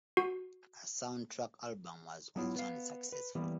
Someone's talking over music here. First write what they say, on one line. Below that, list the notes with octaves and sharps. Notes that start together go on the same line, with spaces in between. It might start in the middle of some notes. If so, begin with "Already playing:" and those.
A soundtrack album was also unsuccessful.
F#4
F#3 B3 E4 F4
B3 F5
B4
E3 G3 A#3 B3